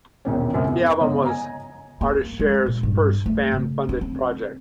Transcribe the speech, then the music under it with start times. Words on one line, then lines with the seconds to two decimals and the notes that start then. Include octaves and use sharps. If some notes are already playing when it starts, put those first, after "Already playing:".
The album was ArtistShare's first fan-funded project.
0.25 E1 A#1 D#2 C#4
0.53 C#2 F#2 C4
0.65 E2
1.00 G1 C#2 C#5 D#5
1.25 G#5 A#5
2.01 A#3
2.40 G#3
2.66 A#2
2.83 G2
3.26 A3
3.52 C#3
3.89 C#4
4.01 C4